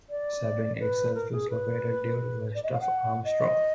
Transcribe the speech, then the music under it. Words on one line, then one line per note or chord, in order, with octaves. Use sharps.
Sabine itself is located due west of Armstrong.
D5
B4
A#4
G#4
B4
D5
D#5
F5
F#5
D#5